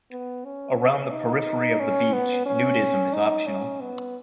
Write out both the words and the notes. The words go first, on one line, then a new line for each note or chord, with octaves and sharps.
Around the periphery of the beach, nudism is optional.
B3
C#4
D#4
C#4
B3
C#4
D#4
C#4
B3